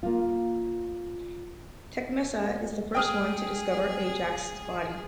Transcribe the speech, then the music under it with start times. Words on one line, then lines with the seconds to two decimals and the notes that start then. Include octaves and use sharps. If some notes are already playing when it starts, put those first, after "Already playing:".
Tecmessa is the first one to discover Ajax's body.
0.03 A#3 F4
2.95 G#4 G5 D#6 F6